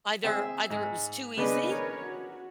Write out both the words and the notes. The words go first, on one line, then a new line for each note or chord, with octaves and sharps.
Either either it was too easy,
C4 G#4 E5
G#2
C#3 B3 D4 B4 D#5
A#4 C#5
F#4